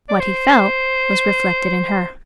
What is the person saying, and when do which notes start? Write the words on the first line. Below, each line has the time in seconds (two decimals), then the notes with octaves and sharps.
What he felt was reflected in her.
0.09 D5
0.20 C5